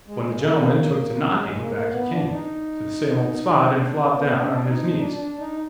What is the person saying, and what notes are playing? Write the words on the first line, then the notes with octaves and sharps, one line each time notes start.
When the gentleman took to knocking, back he came,--to the same old spot, and flopped down on his knees.
G#3
A#3
G#3
A#3
B3
D4
D#4
D4
D4
B3
D4
D#4
D4
D4
D#4